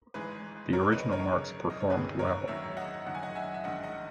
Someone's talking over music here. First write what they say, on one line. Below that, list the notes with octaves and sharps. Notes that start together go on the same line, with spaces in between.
The original marks performed well.
G#1 G#2 E3 G#3 G#4 B4
D#2 D#3 F#3 A#4 C#5
B4 D#5
D#5
A#4 C#5
G#1 F#2 C#3
D#5
C#5
E1 D#2 D#3 G#4 B4
A#4 C#5
G#1 F#2 D#3 F#3 C#5 E5
D#5 F#5
F#1 F#2 D#3 F#3 F#5
G#5
D#5 F#5
E5 G#5
E5
A#1 G#2 D#3 D#5 F#5
D#5 F#5